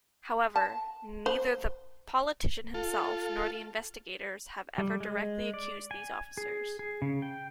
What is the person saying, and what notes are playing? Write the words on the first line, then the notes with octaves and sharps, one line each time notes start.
However, neither the politician himself nor the investigators have ever directly accused these officers.
A5
C5
F4 A4
G3
G#3
D5
G#5
G#4
G#4
C#3
G5